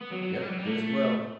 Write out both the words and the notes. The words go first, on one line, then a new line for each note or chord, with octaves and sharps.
Yep, you as well.
B3
F#3
F#3
F#3
G3
F#3
G3
A3